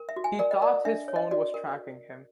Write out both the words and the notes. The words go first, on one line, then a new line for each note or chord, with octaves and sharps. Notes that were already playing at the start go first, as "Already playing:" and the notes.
He thought his phone was tracking him.
Already playing: A#4
E5
F#4
G#5
A#4 D5
D#5
A#4 D5
D4 E5
C#5
D#5
F#4 D5
A#4